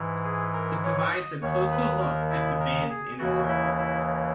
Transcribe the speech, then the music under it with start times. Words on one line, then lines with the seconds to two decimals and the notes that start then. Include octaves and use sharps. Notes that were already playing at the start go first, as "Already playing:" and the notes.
It provides a "closer look at the band's inner circle".
Already playing: G#2 E3
0.24 G#4
0.53 A#4
0.83 C#5
1.12 D#5
1.41 D#2 D#3 C#5
1.71 B4
2.01 A#4
2.30 E4
2.60 A#4
2.90 G#4
3.19 D#2 C#3 E3 F#4
3.48 E4
3.78 E4